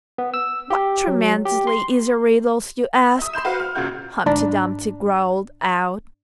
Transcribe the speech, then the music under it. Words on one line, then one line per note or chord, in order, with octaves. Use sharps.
'What tremendously easy riddles you ask!' Humpty Dumpty growled out.
B3
E6
G4
F#3
G4
C6
E5 D#6
B5 C6 G6 E7
F#4 B4 C5 F5
F6
G#1 A#2 C#3 F4 F#4 G6
G1 G#2 D4 D5 A#5 B5